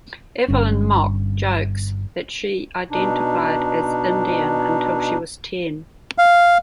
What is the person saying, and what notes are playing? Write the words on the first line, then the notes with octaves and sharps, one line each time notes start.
Evelyn Mok jokes that she identified as Indian until she was ten.
G1 G2 C#4
B2 D4 D#4
F5